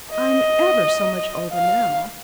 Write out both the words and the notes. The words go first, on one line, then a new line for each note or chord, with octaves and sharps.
I'm ever so much older now....
D#5
F5